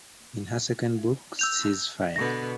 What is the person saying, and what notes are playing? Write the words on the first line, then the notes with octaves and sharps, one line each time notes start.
In her second book, Ceasefire!
E6 G6 F7
B2 D3 B3 A#6